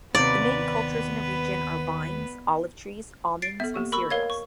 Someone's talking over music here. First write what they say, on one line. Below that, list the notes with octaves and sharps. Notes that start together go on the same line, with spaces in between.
The main cultures in the region are vines, olive trees, almonds and cereals.
D#2 C3 B3 B4 D5
A6 C7 D7
B3 A4 E5
A#3 G4 C#6
A#4 B5 C#6 E6
A#4 C#5 D#5 F5 G#6
C#6